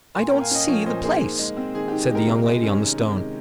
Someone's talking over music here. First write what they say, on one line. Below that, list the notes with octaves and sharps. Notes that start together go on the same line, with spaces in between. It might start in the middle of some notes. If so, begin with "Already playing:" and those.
"I don't SEE the place," said the young lady on the stone.
A#2 G#5 C6
G5 A#5
A#3
F5 G#5
C#4 D#5 G5
F3 C#5 F5
A#2 C5 D#5
A#3 G#4 C5
G#2
G#3
C4
D#3 G#4
G#2 G4
G#3 G4 A#4
C3
G#3
C#4
D#3
C3
G#3